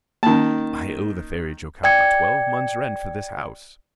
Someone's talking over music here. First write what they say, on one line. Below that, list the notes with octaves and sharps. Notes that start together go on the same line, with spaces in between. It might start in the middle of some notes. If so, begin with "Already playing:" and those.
I owe the Fairy Jocapa twelve months rent for this house.
D#3 A#3 C#4 A5
D5 G5 G#6 C#7